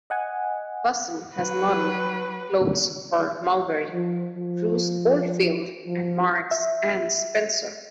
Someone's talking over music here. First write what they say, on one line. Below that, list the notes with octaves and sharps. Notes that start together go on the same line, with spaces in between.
Bussell has modelled clothes for Mulberry, Bruce Oldfield and Marks and Spencer.
D#5 F#5 G#5
F#3 B4
F3
F3
F3
E5